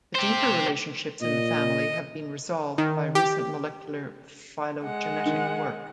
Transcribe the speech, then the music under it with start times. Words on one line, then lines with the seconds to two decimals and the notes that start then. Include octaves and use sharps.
The deeper relationships in the family have been resolved by recent molecular phylogenetic work.
0.15 G4 C5
1.21 A#2 D#5
2.78 D#3
3.15 G4
4.83 G#3 F#5
5.25 D#3